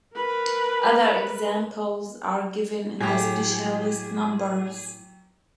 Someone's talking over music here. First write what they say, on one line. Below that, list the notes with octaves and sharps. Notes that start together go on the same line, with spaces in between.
Other examples are given in the Specialist Numbers.
A#4 B4
A2 F#3 G4 G#4